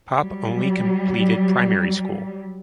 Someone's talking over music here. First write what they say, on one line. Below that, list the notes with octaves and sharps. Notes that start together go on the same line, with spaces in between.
Poppe only completed primary school.
F#3 G3